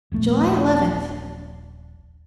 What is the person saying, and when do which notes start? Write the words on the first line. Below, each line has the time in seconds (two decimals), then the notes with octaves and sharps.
July Eleventh.
0.12 D#1 A#1 A3